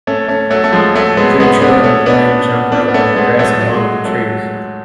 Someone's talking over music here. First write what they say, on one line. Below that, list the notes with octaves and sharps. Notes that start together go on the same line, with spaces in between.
Three children playing jump rope in the grass among the trees.
A3 C#4
A3 C#4
F#3 A3
A3
F3 G#3
F#3 A3
G#3 B3
G#3 B3
B3 D4
A3 C#4
B3 D4
B3 D4
B3
A3 C#4
G#3 B3
F#3 A3
F#3
G#3
F#3
F#3 A3